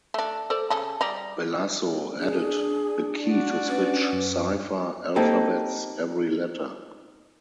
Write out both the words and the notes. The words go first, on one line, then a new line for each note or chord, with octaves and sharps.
Bellaso added a key to switch cipher alphabets every letter.
A3 D4
A4 C5 D5
C#3 A4
G3 D#4
D4 G#4
F#4 D5
C#4 B4
F#2
A#3 C4 D#4 G4 A4